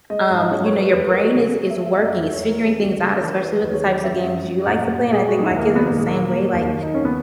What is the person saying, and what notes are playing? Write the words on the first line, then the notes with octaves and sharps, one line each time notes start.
Um, you know, your brain is is working; it's figuring things out, especially with the types of games you like to play, and I think my kids are the same way. Like,
G#3 D#5
G#2 D#5
F#3 C#5
C#5
F#3 B4
E2 B4
A#4
G#3
F#4
C#3
G#4
G#3 A#4
E5
G#3
E5
F#2 E5
F#5
E2 E5
E2 C#5
A#4
G#3
G#4
C#2 F#4
C#3 G#4
E3 A#4
C#5
F#3 B4
D#2 B4
C#5
F#3
F#2 E5
F#2
F#2
A#2 F#5
A#2 F#5
A#2
G#4
G#3 F#4
D#4
E4
D#2
A#3
D#2
B3
A#2 A#3
G#3
F#3 A#3
F#3
D#2
D#2
D#4
D#2 C#4
B3